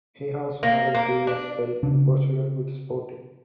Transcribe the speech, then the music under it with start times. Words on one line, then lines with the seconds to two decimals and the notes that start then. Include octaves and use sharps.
He also had a two-year spell in Portugal with Sporting.
0.63 A#3
0.95 A#3
1.27 D4
1.83 C#3 D4